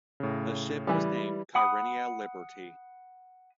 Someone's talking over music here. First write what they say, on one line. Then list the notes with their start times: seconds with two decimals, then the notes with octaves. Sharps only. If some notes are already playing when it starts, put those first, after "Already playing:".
The ship was named "Kyrenia Liberty".
0.20 A2 C#3
0.87 E3 G3
1.55 F#5 B5 D#6